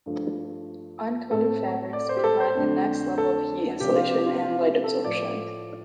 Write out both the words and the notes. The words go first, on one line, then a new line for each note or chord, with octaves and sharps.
Uncoated fabrics provide the next level of heat insulation and light absorption.
G2 F3 A3
A2 A3 C4 A4
D5
C5
G4
A4
C5
F2 D3 A3 D4
A4
C3 F3 D4 G4
F4
G4
F4
F4
G4
A4
A2 F3 A3 D5